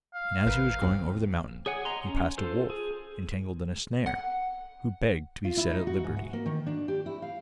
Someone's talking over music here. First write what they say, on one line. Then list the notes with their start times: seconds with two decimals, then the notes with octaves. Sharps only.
And as he was going over the mountain he passed a wolf entangled in a snare, who begged to be set at liberty.
0.14 F5
0.46 G#1 A#4 B4
0.82 D#2 C4
1.66 G#4 C#5 F#5 G#5
1.85 D#5 A#5 C6
2.07 C#4
2.38 F4 A4 C5
2.70 G#4
4.06 F#5
5.45 F4
5.57 E4
5.71 D#4
5.87 F#4
6.04 G#2
6.17 F#5
6.33 A#3
6.46 D#3
6.66 D4
6.88 G4
7.06 E4
7.22 F5